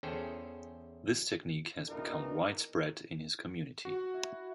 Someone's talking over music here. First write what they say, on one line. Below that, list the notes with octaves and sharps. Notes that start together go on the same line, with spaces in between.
This technique has become widespread in his community.
E2 C#4 G#4 A4 C5 G5
A#1 E2 B2 E3 D#4 A#4
F#4
E4